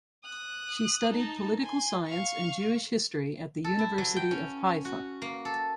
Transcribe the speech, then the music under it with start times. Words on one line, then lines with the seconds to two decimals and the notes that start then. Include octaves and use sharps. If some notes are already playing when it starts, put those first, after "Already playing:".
She studied political science and Jewish history at the University of Haifa.
0.25 D#6 F#6
1.11 D#4 A5
1.61 G#5 C6
2.06 F5 C#6
3.64 A4
3.79 E4
3.98 F#3
4.16 G5
4.31 C#4
4.85 F#4
5.22 A#3
5.45 A4